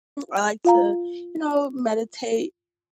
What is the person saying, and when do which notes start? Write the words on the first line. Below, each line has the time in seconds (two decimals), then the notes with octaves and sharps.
I like to, you know, meditate.
0.65 F4 F5 A#5